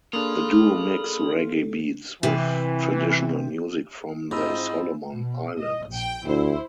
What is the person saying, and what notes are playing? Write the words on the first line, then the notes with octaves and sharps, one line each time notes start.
The duo mix reggae beats with traditional music from the Solomon Islands.
A#3 D4 F4 G#4 A4 B5 D#6
C3 E3
G#2 C4 E4 F4 D#5 B5 E6
B2
D#5
A#1 G5
D2 E4 C5